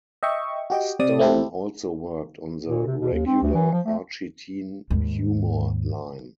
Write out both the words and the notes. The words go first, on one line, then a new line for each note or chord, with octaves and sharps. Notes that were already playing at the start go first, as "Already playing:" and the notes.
Stone also worked on the regular Archie teen-humor line.
D#5 E5 G5 C#6
F#4 G4 D#5 G5
C3 D5 D#6
A3 C4 E4 G4 A4
A#2
C3
B2
D#2
C4
D2
E3
F3
A3
D#2 G#2